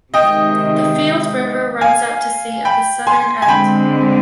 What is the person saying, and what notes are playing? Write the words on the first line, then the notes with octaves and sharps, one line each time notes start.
The Field River runs out to sea at the southern end.
C3 D#3 G#3 D#5 G5
F5 G#5
G5 B5
G#5 C6
G#5
D3 G#3 C4 G5 B5